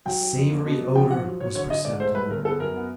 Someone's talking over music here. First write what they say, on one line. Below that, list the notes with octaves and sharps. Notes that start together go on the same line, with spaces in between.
The savoury odour was perceptible.
F#3 G5
F#3
F2
A#3
B2
F#3
F3 G5
F3 F#5
F#3
F#3 C#5
D3 C#5
D3 D#5
G#2 D5
A3 C5
G2 B4
G1 A#4
B3 A4
F#2 A#4
B3